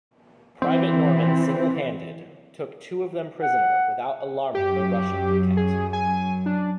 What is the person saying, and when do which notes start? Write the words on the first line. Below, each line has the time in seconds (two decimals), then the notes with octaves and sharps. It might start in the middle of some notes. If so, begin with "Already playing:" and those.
Private Norman single-handed, took two of them prisoner without alarming the Russian picquet.
0.62 E3 C4
3.42 F#5
4.55 F#2 G4
5.57 G#4
5.93 G#5
6.46 D4